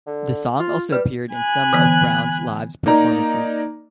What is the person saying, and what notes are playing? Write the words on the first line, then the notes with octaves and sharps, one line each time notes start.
The song also appeared in some of Brown's live performances.
D3
F4
G3 B4
G#5 B5 F#6
D3 E3 B3
A#3 D#4 D5 A#5